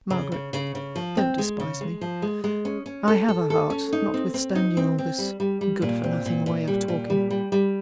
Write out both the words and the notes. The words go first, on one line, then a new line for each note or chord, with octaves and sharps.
'Margaret, don't despise me; I have a heart, notwithstanding all this good-for-nothing way of talking.
C#3
C#3
C#3
C#3
F3
C4
G#3
C#3
G#3
F3
G#3
G#3
C#4
C#4
A4
A4
A4
C#4
D#4
C4
C4
D#4
C4
C4
G3
G3
G3
A#2
C4
A#2
A#2
G3
A#2
G3
G3
G3